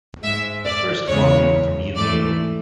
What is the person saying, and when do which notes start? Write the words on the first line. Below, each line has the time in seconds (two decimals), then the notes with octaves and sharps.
The first volume from Yu-Gi-Oh!
0.23 G#2 G#3 E5
0.65 D5
1.09 E2 C#3 E3 G#3 C#5
1.96 G#2 E3 A3 D5